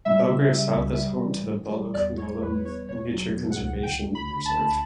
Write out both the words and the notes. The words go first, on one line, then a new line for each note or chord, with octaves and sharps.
Belgrave South is home to the Baluk Willam Nature Conservation Reserve.
G3 E5
C#3
G3
C#2
G3
E3
A2
G3
E2 D5
E2 C#5
E2 B4
E2 C#5
B2 C#5
F#3
B2
F#5
C#2
D2 G5
D2
B5
D2
A5
D2